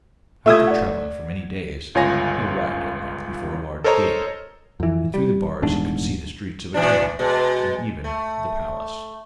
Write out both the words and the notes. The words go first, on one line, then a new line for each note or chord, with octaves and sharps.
After travelling for many days, he arrived at length before a large gate, and through the bars he could see the streets of a town, and even the palace.
A3 F4 E5 D#6 G#6
D5 F#5
G1 C#2 F4 C#5 G#5 A#6
A4 A#4 C5 C#5 D#5 A#5
F2 E3
G3
D#1 E2 G#2 D4
A#2 E3 D4
B2 G#3
A3